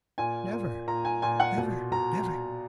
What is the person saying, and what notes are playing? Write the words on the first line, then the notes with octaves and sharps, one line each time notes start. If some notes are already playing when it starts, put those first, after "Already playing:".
"Never, never, never!"
A#2 G#5
A#2
A#2 A#5
G#5
A#2 G#5
F#5
B2
B2 A#5